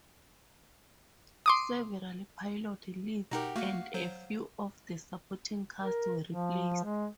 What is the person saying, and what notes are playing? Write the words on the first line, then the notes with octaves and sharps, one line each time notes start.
Several pilot leads and a few of the supporting cast were replaced.
C6 D6 D#6
B2 D#4 G4 A#4 F#5 A#5
A3 A#3 F#4 F5 F#5
F#3 C5
A#4
F3
G#3